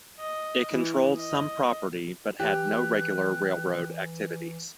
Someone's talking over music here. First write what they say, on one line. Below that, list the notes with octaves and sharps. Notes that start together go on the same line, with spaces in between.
It controlled some property, but had no regular railroad activities.
D#5
E3
D#5
E3 G4 F#6